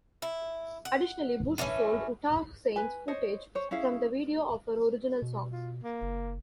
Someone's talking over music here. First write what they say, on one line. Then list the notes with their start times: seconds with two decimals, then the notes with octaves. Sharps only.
Additionally, Bush sold Utah Saints footage from the video of her original song.
0.22 E4
0.85 F#5
1.58 D3 E3 A3 C#4
2.76 B4 G#5
3.08 C5 C#5 D#5
3.55 C5 C#5
3.71 C#4 E4 G#4 F5
5.22 B2
5.52 F4
5.84 A#3
6.02 F#1